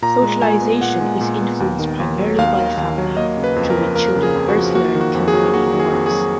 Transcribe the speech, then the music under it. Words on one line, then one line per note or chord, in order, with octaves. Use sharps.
Socialization is influenced primarily by the family, through which children first learn community norms.
A#2 A#5
G#3
A#2 G#5
B3
A#2 F#5
G#3
A#2
B3
D#2
D#3
D#2
F#3
D#2 F5
D#3
D#2
F#3
A#3 D#5
C#3
B4
F2
A#4
F3
A#3 A#4
C#3
G#4
F2
F#4
F3
A#3 F#4
D#3
F#4
F2
G#4
F#3
A#3 F#4
D#3
G#4
F2
G#4
F#3